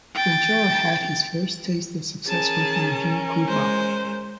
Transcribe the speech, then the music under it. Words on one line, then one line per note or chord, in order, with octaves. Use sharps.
Ventura had his first taste of success working with Gene Krupa.
G5 A6
C#4 G#4 A#4 A5
G#3 C5